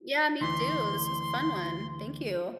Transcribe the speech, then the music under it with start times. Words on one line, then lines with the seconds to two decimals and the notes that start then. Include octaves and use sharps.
Yeah, me too, this was a fun one, thank you.
0.41 D2 E3 C6